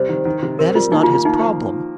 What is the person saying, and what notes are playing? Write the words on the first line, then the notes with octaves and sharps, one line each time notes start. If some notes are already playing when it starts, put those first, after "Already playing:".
That is not his problem.
Already playing: C3 G3 C5
D#3
D#3
C3
C4 A#4
G3 F4
A#3 D#4
F4
D#3
F4
A#3 D#4
F3